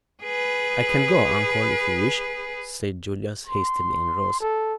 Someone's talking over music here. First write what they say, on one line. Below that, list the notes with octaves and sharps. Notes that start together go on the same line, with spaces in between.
"I can go, uncle, if you wish," said Julius, hastily, and rose.
G#4 B4
C6
A4